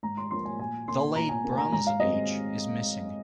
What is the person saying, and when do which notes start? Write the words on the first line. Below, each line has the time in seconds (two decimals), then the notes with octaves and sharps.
The Late Bronze Age is missing.
0.03 G#2 A#5
0.17 C6
0.31 F3 A#3 C6
0.45 G#5
0.59 A#2 G#5
0.88 A#3 C6
1.16 A#2 A#5
1.29 G#5
1.44 A#3
1.52 G#5
1.57 A#5
1.72 G#2 A#5
1.87 F5
2.00 G#3 C4 D#5